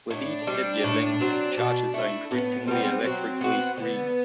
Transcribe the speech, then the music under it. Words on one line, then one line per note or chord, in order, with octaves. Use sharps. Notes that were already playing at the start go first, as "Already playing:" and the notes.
With each Debye length, charges are increasingly electrically screened.
A2 D4
G3 C4
A2
F#3 C4
B2
A3 E4
A2 B3
G3 B3 C4
F#3 C4
B3 F#4
D3 B3